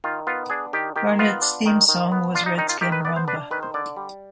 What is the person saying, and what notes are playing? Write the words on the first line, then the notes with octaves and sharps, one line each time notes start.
Barnet's theme song was "Redskin Rhumba".
D#3 F4
B3 F4
D4 G#4
D#3 G4
D#3 G4
B3 F4
D4
D#3
D#3
B3
D4 F4
D#4
D#3 D#4
F4
D#3 G4
B4
B3 D5
C5
D4 B4
D#3 B4
C5
D3 D5
G3